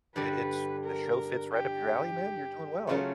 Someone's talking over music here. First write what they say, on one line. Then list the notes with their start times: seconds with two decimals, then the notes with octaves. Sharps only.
I it's the show fits right up your alley, man, you're doing well."
0.15 G2 D3 G3 B4
0.84 A#4
1.52 G4
2.87 C#3 F#3 A3 C#4 F4